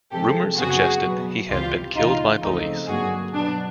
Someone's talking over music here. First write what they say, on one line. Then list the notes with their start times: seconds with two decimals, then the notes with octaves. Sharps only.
Rumours suggested he had been killed by police.
0.11 C3 F3 G#3 G4 A4
0.57 F#2 C#3 F#3 B3 F#4 G#4
1.04 B2 F#3 B3
1.50 C#2 C3 E3 G3 F4 G4
1.96 C#2 C#3 E3 D#4 F4
2.42 C#2 C#3 F3 A3 C4 D#4
2.88 G2 D3 F#3 A#3 F#4 G#4
3.34 B2 F#3 B3 D4